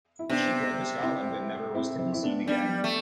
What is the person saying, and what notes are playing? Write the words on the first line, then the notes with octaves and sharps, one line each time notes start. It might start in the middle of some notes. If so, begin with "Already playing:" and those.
She fled to Scotland and never was to be seen again.
E4
C3 B3 D4
C4 E4
C4 E4
C4 E4
E4
B3 D4
G3 B3 D4
A3